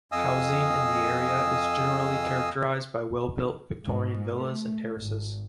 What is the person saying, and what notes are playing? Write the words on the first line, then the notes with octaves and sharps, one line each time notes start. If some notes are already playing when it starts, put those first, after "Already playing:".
Housing in the area is generally characterised by well-built Victorian villas and terraces.
F2 D#5 F5 G#5 D#6 E6
G#2
A3
G#1